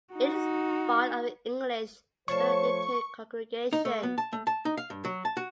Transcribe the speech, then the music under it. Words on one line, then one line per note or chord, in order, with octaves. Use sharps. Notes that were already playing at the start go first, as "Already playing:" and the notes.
It is part of the English Benedictine Congregation.
D#4 F#4
F3 A3 C5 C#5 F5 A5 C#6
D#4
A3
B3
A5
A3
A5
D#4
F5
G2
F#3
A5
F#4